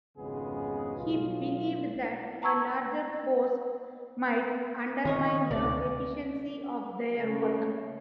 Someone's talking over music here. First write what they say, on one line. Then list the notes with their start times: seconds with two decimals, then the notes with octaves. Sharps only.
He believed that a larger force might undermine the efficiency of their work.
0.18 G#1 F2 C#3 G#3 B3 G#4
0.98 B1 F4
2.42 A5 A#5 C#6 E6 G#6
5.05 D#3 F4 C#5 D#5
5.51 D2 C3 D5
7.17 C#3 A3